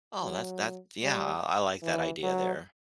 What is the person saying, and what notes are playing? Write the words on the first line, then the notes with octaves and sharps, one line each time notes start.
Oh, that's that's yeah, I like that idea there.
F#3
G3
E3
F#3